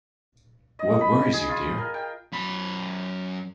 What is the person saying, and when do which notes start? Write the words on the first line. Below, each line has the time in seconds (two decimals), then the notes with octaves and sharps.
What worries you, dear?
0.79 D#5
1.01 B5
1.33 G#4
1.49 F4
1.78 A#4
1.94 G5
2.32 F#2 B5